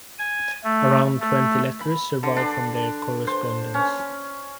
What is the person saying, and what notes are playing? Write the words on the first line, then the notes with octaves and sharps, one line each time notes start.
Around twenty letters survive from their correspondence.
G#5
A3
A3
B5
D3
D4
C5
C#4